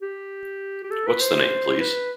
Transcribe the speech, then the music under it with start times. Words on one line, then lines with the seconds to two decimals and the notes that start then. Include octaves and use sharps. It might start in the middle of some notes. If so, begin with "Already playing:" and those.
What's the name, please?
0.02 G4
0.84 G4
0.91 A4
1.07 B4
1.21 C5
1.80 B4